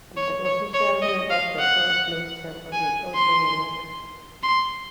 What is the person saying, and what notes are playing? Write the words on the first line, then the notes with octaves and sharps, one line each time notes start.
The official name of the Salt Lake Temple is also unique.
C#5
C#5
C#5
D#5
F5
F#5
G#5
C6
C6